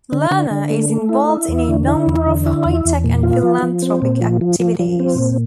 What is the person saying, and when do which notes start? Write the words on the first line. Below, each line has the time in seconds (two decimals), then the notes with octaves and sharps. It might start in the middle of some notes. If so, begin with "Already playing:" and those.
Lerner is involved in a number of high-tech and philanthropic activities.
0.12 D3
0.31 D3
0.50 D3
0.70 A3
0.90 A3
1.09 E4
1.29 E4
1.48 E2
1.68 D3
1.88 E4
2.07 E2
2.26 D3
2.46 E4
2.65 E2
2.85 E2
3.04 A#2
3.23 F4
3.43 F3
3.62 F3
3.82 C4
4.02 A#2
4.21 F3
4.41 F3
4.60 F3
4.79 F3
5.00 C4
5.18 A#2